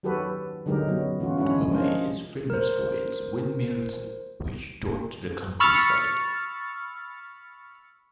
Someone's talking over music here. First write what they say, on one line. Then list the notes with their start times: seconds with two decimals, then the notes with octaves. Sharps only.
Tomamae is famous for its windmills which dot the countryside.
0.03 D#3 F#3 F#4 G4 A4 B4
0.66 D3 F#3 G#3 D#4 G4 A#4
0.88 F#3 B3
1.20 E3 A3 C#4 F4 F#4
1.38 G#3 C#4 D4 E4 F#4
1.71 F3 G#3 C#4 D4 A#4 C5
2.50 A#4 C5
5.60 B5 C#6 E6 F6 A6 C#7